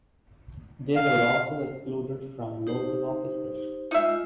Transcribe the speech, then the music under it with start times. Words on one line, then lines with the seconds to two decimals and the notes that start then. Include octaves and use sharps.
They were also excluded from local offices.
0.96 F5
2.67 D#4 G4 C5
3.91 G#3 D#4 F4 E5